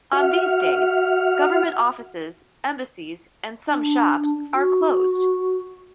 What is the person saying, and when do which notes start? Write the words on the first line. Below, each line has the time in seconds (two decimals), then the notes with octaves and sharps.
On these days, government offices, embassies and some shops, are closed.
0.13 F#4 E5 F#5 F6
3.71 D4
4.54 F#4